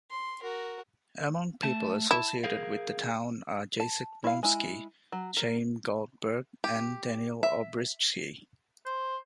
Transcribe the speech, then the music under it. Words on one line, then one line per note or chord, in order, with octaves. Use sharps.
Among people associated with the town are Jacek Bromski, Chaim Goldberg, and Daniel Olbrychski.
C6
F#4 A#4
A3 A5
E4 A5
G#4 A#4 F5
A5
E4 F5
G#3 E4
F#3
A#4
G4
E5
C5